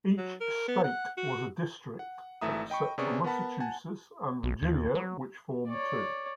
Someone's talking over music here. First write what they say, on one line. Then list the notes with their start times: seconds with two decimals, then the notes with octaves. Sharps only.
Each State was a district, except for Massachusetts and Virginia which formed two.
0.18 F#3
0.40 A#4
0.68 B3
0.84 F#5
1.17 F#4
1.99 F#5
2.41 G#1 E3 A3 E5 A#5 D#6
2.70 D#5 G5 B5 C#6
2.98 C3 B3 C#4 G#4 D5 C#6
3.24 B3 A#4 F#5 A5 B5
3.60 F#5 G#5 A5
4.43 B1
4.62 D#2
4.95 F#3
5.68 C#5 D5